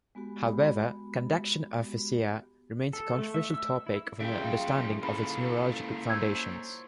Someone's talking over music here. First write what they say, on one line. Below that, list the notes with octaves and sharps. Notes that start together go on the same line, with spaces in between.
However, conduction aphasia remains a controversial topic from the understanding of its neurologic foundations.
G#3 B3 F#4 G4 B5
A4
A3
E5
E6
E4
D#2 C#3 F#3 G3 F4 E5 G5 D7
A#3 C#4 E4 A4 A#4 B5
C5 C#5 A#5 E6 G6 G#6